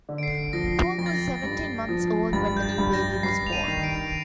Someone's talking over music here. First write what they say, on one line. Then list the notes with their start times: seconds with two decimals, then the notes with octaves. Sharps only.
Paul was seventeen months old when the new baby was born.
0.09 D3
0.18 D7
0.23 C7
0.53 F3 A#6
0.98 F2 A#6
1.06 A6
1.15 A#6
1.43 G2
1.89 F3
2.33 G2 A6
2.57 G6
2.63 A6
2.78 G2
2.94 A#6
3.23 G2 C7
3.47 F7
3.53 D#7
3.68 D#3
3.83 D7